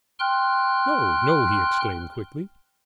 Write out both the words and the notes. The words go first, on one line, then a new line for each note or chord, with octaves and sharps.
"No, no," he exclaimed quickly.
G5 C6 F6 F#6